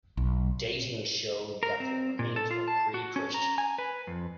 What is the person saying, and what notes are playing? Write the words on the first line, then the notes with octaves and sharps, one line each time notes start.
Dating showed that the remains were Pre-Christian.
B1
A#4
C4
A#2
A4
F4
A5
F#4
C#4
A#5
G#5
B4
F2